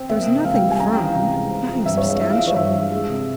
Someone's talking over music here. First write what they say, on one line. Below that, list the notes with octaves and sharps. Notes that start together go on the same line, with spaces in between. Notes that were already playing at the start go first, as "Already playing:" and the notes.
There was nothing firm, nothing substantial in it.
Already playing: C4
A#3 E5
C3
C#2 F5
G5
G3
G#5
C#4 A#5
G5
E3
F5
C3
G#3
C4
F3
G2 E5
C#5
G#3
E5
E4 E5
F5
F3 E5
C#5
G2 E5
G#3
G#3
C3